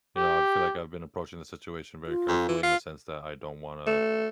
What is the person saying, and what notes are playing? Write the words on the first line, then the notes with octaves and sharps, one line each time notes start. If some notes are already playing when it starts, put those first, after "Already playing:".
you know, I feel like I've been approaching the situation very carefully in the sense that I don't wanna
G4
F4
F2
E3
F4
A3